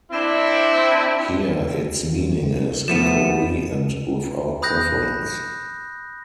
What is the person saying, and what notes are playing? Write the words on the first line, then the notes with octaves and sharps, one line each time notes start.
Here its meaning is "equally and without preference".
C4 D4 E4
F3 A3 B3 E7
B5 D#6 F#6 G6 A#6